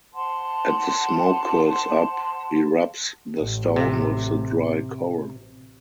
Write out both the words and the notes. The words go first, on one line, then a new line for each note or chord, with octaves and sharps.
As the smoke curls up, he rubs the stone with the dry coral.
C5 F#5 A5 C6
A1
C3